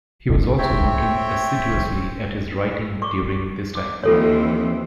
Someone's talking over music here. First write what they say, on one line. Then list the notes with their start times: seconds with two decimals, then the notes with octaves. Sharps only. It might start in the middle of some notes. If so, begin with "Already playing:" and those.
He was also working assiduously at his writing during this time.
0.58 C4 C#5 E5 G5
3.02 C#6 D6
3.75 D6
4.04 D#2 E3 C4 F4 A4 C#5